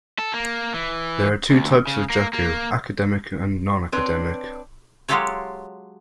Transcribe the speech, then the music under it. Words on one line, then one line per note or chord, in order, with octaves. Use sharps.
There are two types of juku, academic and nonacademic.
A4
A#3
E3
D2
C#3
A#3
A#3
C4 D4 B4 C#5
F#3 G#3 F4 G4 A4 C#5